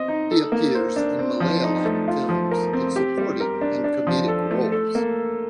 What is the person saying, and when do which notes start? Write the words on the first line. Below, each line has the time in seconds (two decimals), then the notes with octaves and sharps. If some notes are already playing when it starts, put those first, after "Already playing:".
He appears in Malayalam films in supporting and comedic roles.
Already playing: C4 D#5
0.08 D#4
0.31 A4
0.52 A#3
0.75 C5
0.96 D4
1.19 C4
1.40 F3
1.63 D#4
1.85 A3
2.08 F4
2.29 F3
2.51 A#4
2.73 C4
2.96 G4
3.18 G3
3.40 A#4
3.61 D4
3.84 D4
4.07 F3
4.28 A4
4.51 A3
4.72 A4
4.95 A#3